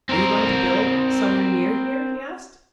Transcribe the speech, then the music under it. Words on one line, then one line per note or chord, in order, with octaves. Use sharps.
"Are you going to build somewhere near here?" he asked.
C4 A#4